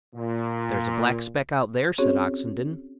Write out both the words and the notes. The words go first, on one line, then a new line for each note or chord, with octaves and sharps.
"There's a black speck out there," said Oxenden.
A#2
C4 C#4 F#4 G#4 C#5